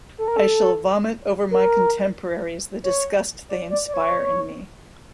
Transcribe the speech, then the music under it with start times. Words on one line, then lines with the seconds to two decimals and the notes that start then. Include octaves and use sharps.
I shall vomit over my contemporaries the disgust they inspire in me...
0.18 A4
0.28 A#4
0.37 A4
1.51 A#4
2.84 C#5
3.49 D5
3.71 D5
3.88 D5
3.94 C#5